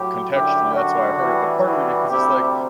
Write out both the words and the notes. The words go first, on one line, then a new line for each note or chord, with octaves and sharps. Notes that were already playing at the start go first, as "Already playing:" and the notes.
contextually, that's why I heard it, but partly because it's, like,
Already playing: A2 F#3 E4 G4
F#2 D3 G3 E4 G4
D4 F#4
A2 E3 G3
D4 F#4
D2 C3 G3 E4 G4